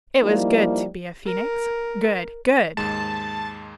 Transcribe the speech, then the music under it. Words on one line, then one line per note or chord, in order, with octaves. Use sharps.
It was good to be a Phoenix, good, good!
F3 G3 A#3 D#4 E4
A#4
D#2 G#2 G#3 A5